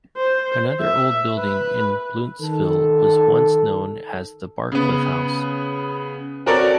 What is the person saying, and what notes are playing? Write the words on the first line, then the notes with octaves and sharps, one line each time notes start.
Another old building in Blountsville was once known as the Barclift House.
C5
E5
B4
D#3 A4
C#3 B3
C4 F#4 A4 A#4 C#5 D5